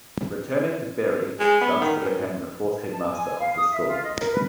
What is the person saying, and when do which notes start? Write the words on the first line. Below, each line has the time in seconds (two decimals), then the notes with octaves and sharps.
Returning to Bury, Dunster became the fourth headmaster of the school.
1.39 G#3
1.61 B3
1.81 D#3
2.00 F#2
2.91 A5
3.11 G#5
3.39 F5
3.56 D#6
3.72 E5
3.87 F4
4.03 D#5
4.19 A#4
4.32 B4